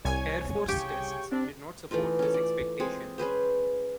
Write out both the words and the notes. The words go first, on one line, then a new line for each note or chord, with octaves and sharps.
Air Force tests did not support this expectation.
C2 C#5 G#5 G#6
C#3 G4 G5 C#6
C4 D4
E3 A3 D#4 F4
C#4 A4
D5
G#3 C4 G#4
C#4 G#4 B4 C5